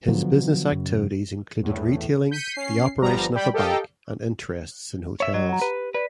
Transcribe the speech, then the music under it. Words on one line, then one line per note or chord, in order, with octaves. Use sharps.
His business activities included retailing, the operation of a bank, and interests in hotels.
D3 F3 F#3 B3
F#2 C#3
E2 A2
G6 B6 C#7 D#7
C#4 C7
G1 F3 G3 B3 A#5
G3 G5 B5
G4 A4 A#4 D#5 F5 G5
C#5 E5
F#3 F#4 D#5
F#5 A#5
G4 B4
B4 D5 B6